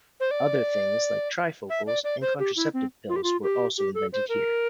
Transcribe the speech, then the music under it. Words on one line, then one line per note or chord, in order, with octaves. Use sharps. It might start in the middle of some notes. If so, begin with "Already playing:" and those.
Other things like trifocals and contraceptive pills were also invented here.
C5
D5
E5
D5
D5
C5
G4
E4
C4
F4
G4
F4
G4
G4
A4
C5
A#4